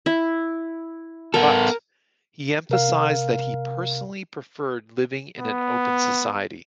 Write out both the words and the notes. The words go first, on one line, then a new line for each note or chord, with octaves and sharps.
But, he emphasized that he personally preferred living in an open society.
E4
B3 A4 A#4 A#5
C3 A#4 F5
B3